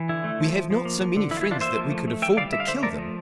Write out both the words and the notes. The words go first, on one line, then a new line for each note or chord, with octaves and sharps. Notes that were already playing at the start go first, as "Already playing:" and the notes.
"We have not so many friends that we could afford to kill them."
Already playing: E3
D3 E4
A3
F3
F3
F3
A#3
F3
D3
E3 E4
F4
E4
E3
D4 F4
A#3 C5 E5
F3
A3
A3
E3 E5 G5
G3 D5 F5
D3 E5
F5
D3 C5 E5
A3 A#4 D5
F3